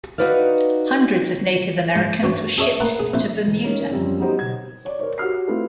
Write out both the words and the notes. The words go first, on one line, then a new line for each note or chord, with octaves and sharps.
Hundreds of Native Americans were shipped to Bermuda.
D#4 E4 F#4 B4 D5 F5
G#2
G2 E3 C4 F#4 C#5
G#4 A4 C#5 D#5 E5
A3 A#3 A#4 F#5 B5 C6
G#4
A#1 F2 C4 E4
E1
A#3 C#4 D#4
F#2 F3 G3 C4
F#3 G3 B3 D#4 G4 C5
B2 G#6
C#5 D5
A#4 C5 C#5
F#4 G4 F6 C7
A3 C4 E4 F4 A4 B4